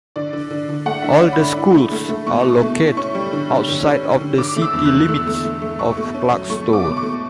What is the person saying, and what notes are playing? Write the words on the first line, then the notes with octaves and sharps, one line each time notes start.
All the schools are located outside of the city limits of Clarkston.
D3 D5
D3
D3
D3
A3 F#5
D3 E5
D5
C#4
B5
D3
E4
A3
A3
A3
B2 C#6
B2
A3
E4
C#4 C#6
G3
D3
D3
D3
C#4
C#4
D3
D3 D6
A3
E6
E2
F#6
D3
A3 E6
A3
A3
A3
B2 C#6
A3
C#4
F#3
A3 C#6
A3
D6
B2
C#6
A3